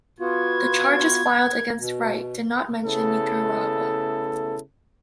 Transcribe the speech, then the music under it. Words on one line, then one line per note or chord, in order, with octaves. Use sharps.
The charges filed against Wright did not mention Nicaragua.
B3 F4 F#4 G#6
B2
C#3 A3 B3 E4 A4